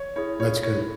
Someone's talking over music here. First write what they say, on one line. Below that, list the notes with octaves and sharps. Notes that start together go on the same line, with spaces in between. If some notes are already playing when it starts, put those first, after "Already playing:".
That's good.
Already playing: C#5
E4 G#4 C#5
C#5
E4 C#5